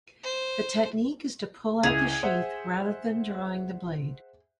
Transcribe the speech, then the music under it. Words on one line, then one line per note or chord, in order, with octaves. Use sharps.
The technique is to pull out the sheath rather than drawing the blade.
C5
C#2 E4 G#4 F7
C5 E5 F#5